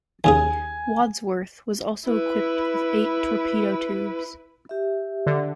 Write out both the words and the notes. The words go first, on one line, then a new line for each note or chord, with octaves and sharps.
"Wadsworth" was also equipped with eight torpedo tubes.
D#2 C#3 G#4 G#5
E4 B4
G4 E5
D3